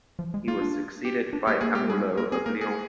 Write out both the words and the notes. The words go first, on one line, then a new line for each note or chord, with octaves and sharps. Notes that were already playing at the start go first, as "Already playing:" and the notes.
He was succeeded by Amulo of Lyons.
F3
G#3
A#3 F4
D4
G4
D4
A#3 G4
A#3 G#4
G#3 G4
G3 G#4
G#3
A#3 A#4
C4 G#4
A#3 A#4
G#4